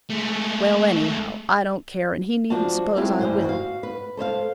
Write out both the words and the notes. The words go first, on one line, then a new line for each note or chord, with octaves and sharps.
Well, anyhow, I don't care, and he needn't suppose I will.
G#3 A3
F3 D4 F4 F#4 A5
F#3 G#3 A3 C4 E4 F4
D2 G2 E3 G3 E4 C5
F#4 F5
B4
A4 C5 C#5 F5